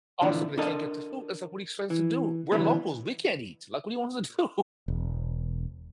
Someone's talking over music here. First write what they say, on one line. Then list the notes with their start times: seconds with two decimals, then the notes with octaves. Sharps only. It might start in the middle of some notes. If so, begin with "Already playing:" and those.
all of a sudden they can't get the food. It's like, what do you expect us to do? We're locals, we can't eat, like, what do you want us to do?
0.21 A#2 D3 E3 F3 B3 D4
0.58 D4 A4 A#4 D#5 A5
1.90 E3
2.52 C2 D3 E3 F#3 B3
4.88 E1